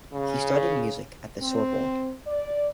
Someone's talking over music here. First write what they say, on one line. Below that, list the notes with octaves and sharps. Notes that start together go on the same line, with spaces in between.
He studied music at the Sorbonne.
C#3
C4
D5